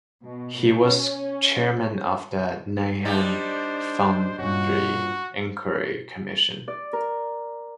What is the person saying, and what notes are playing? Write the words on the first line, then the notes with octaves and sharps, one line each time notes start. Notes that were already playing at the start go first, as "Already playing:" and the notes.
He was chairman of the Nahan Foundry Enquiry Commission.
B2
C#4
G3 D4 D#4 C5
G2 A#2 C#4 F#4
D5
A#4